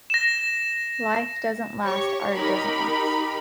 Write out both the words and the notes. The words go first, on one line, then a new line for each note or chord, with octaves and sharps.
Life doesn't last; art doesn't last.
A#6 E7
G4 C#5 C#6
D#4 G4 A#4 B5